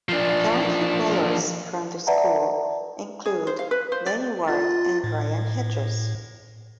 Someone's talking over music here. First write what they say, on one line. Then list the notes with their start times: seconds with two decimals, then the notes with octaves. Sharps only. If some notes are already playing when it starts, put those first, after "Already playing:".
Current footballers from the school include, Danny Ward and Ryan Hedges.
0.09 F3 D4
2.07 B4 D5 E5 F#5 A5 A#5
3.26 G#4
3.47 C5
3.59 F5
3.71 B4
3.92 C5
4.06 D5
4.48 F4 A6
5.04 A2